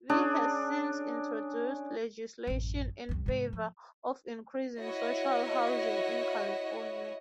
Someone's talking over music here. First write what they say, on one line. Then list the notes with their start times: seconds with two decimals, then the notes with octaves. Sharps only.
Lee has since introduced legislation in favor of increasing social housing in California.
0.09 C#4 D4 G#4
2.47 A1 F#2
3.09 C2 F2
3.26 G#2 C3
3.53 F3
4.80 E4 F#4 C#5 D#5